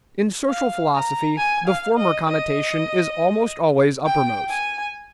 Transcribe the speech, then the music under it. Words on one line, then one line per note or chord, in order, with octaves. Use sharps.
In social philosophy, the former connotation is almost always uppermost.
F5
A#5
G#5
F5
D#5
D#5
G5
G#5